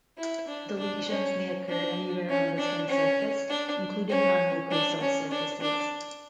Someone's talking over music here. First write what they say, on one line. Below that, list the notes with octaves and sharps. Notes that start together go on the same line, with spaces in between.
The lesions may occur anywhere on the skin surface, including on mucosal surfaces.
E4
D4
D4
C#4
D4
C#4
D4
C#4
D4
C#4
D4
C#4
D4
D4